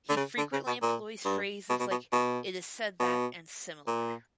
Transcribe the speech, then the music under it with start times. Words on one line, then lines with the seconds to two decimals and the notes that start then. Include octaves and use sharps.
He frequently employs phrases like "it is said that" and similar.
0.09 D3
0.17 C#3
0.38 D3
0.53 C#3
0.67 B2
0.82 A#2
1.25 G2
1.70 B2
1.80 B2
1.91 B2
2.13 B2
3.00 B2
3.87 A#2